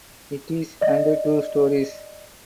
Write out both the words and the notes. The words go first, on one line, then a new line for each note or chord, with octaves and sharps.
It is and two stories.
D5 D#5